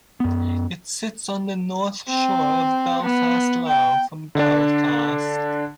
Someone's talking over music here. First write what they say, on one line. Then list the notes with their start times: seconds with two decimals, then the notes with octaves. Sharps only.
It sits on the north shore of Belfast Lough, from Belfast.
0.20 F#2 B3
2.09 C4
3.02 B3
3.67 G5
4.35 D3 D4